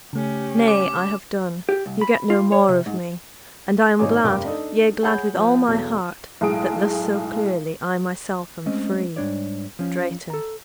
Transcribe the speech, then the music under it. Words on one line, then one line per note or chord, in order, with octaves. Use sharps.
'Nay, I have done; you get no more of me: And I am glad, yea glad with all my heart, That thus so clearly I myself am free.' DRAYTON.
C#3 A3 C#4 G4
D6
G4
C2
B5
F4
C#5
C3
G#2
G#1 D#4 C#5 G#5 D6
F1 G2 A#4 G5 D6
D4 D#4 A4
G#4 C#5 F#5 B5 G6
F3
B1 E2 A4
B1 A2 G#3 D#6 D7
G#3 A3 C4 C#4 D#5
G#2 G3 D4 C#5 D5
F3 C#4
A4 A#5